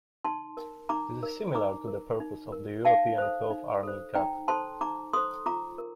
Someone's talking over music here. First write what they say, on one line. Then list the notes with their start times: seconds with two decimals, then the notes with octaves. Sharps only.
This is similar to the purpose of the European cloth arming cap.
0.24 D#4 A5 C6
0.57 A#4
0.89 D#4 A#5 D6
1.23 A#4
1.55 D#4 A#5 D6
1.88 A#4
2.20 D#4
2.52 A#4
2.85 D#4 F5 A5
3.18 A4 C5
3.50 D#4
3.83 A4 C5
4.15 D#4 G5 A#5
4.48 A4 C5 A5 C6
4.81 D#4 A#5 D6
5.13 A4 C5 C6 D#6
5.46 F4 A#5 D6
5.78 A#4